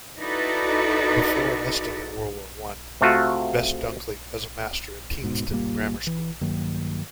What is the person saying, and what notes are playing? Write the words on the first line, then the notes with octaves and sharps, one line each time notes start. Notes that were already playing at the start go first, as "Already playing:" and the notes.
Before enlisting in World War One, Best-Dunkley was a Master at Tienstin Grammar School.
D#4 E4 F#4 A4 B4 D5
C3 A3 F4 F#4
D1 G#2 B2
F#1 A#2 G3 A#3
E3
G2 D#3 F#3 A#3